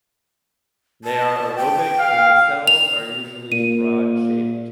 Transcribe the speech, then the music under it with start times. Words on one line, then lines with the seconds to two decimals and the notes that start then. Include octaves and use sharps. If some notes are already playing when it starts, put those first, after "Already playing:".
They are aerobic, and the cells are usually rod-shaped.
1.04 A5
1.56 G5
2.00 F5
2.67 F7
3.52 A#2 D#7